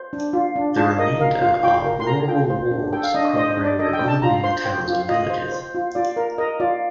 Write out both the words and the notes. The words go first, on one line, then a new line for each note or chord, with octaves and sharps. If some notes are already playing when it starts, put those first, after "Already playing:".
The remainder are rural wards covering the other main towns and villages.
Already playing: C5
D4
F4
D4
F4 A5
A#4 D#5
A#4 F5
F4 F5
F4 G5
A#4
C6
A#4 A#5
F4 G5
C5
D4
A4 G5
F5
D4 D#5
D#5
C5 D#5
D#5
D4
D5
A4 D#5
G5
D4
A5
F4 A#5
C5 C6
C5 G5
F4
F4 D#5
C5
C5
F4
F4 D5
A#4
A#4 D#5
F4 D5